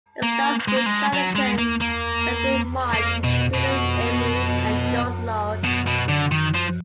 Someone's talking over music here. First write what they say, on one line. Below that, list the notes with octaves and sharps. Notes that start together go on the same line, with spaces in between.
It stars Ruth Chatterton, Fredric March, Gilbert Emery and Doris Lloyd.
A#3
G#3
A#3
G#3
F#3
G#3
A#3
A#3
A#3
B2
B2
B2
B2
D3
D#3
F3